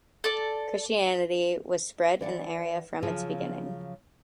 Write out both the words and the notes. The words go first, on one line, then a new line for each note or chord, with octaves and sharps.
Christianity was spread in the area from its beginning.
A4 D5
E3 D5 F#5
C#3 F3 F#3 F4 G#4